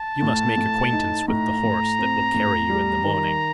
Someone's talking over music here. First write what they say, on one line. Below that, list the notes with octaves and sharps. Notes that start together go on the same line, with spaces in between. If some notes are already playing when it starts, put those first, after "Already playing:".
"You must make acquaintance with the horse that will carry you in the morning!"
Already playing: A5
A2
A2
D#4
A2 A#5
A2
C4
A2
G3
D#3